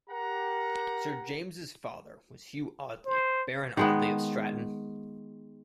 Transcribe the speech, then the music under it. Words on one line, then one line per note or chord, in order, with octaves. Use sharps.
Sir James's father was Hugh Audley Baron Audley of Stratton.
G4 A#4 F#5 A#5
C5
D#3 G#3 B3